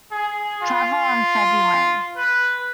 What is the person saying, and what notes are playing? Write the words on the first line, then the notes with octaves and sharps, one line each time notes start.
Tarver in February.
G#4
F4
B4